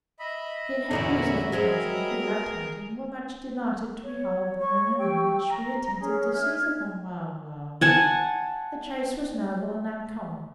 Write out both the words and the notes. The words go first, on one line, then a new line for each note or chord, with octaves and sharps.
The inhabitants of the country, who loved hunting, were much delighted to behold the manner in which we attempted to seize upon Wauwau; the chase was noble and uncommon.
D#5 E5 B5
E2 A#2 D3 C#4 F#4
F#3 G#3 C4 G#4 A#4
B3
C#5
C#5 C#6
G4 G5 C#6 E6
A#5
C#4 G#4
E5 F6 G#6
F#5 G#5 A5